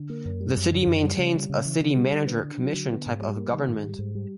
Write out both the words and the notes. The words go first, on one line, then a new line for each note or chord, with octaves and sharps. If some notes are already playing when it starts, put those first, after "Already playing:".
The city maintains a city manager commission type of government.
Already playing: D3
A#3
F#2
G3
F#2
D3
F#2
G3
C#3
G3
C#3
E3
C#3
G3
D3
B3
D4
F#3
D3
B3
G#2
G3
A#3
D#3
G#2
G3
G#2
G3